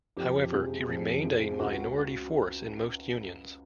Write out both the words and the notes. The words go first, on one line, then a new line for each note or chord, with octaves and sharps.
However, it remained a minority force in most unions.
F2 G4
C3 F3 G#3
F2
C3 F3 G#3
C#2 F#4